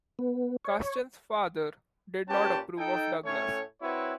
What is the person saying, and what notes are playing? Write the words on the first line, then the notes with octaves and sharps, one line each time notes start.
Custance's father did not approve of Douglas.
B3
C#5
A#2 C#4 G4 B4 F#5 A5
D#4 A4 G5
A2 A3 C#4 C#5
C4 E4 F#4 B4 C#5